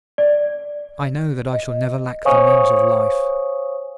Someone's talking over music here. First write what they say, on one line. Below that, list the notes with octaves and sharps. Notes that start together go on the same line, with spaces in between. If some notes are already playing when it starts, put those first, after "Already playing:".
"I know that I shall never lack the means of life!"
D5
D#5
C5 C#5 F5 G#5 C#6 D#6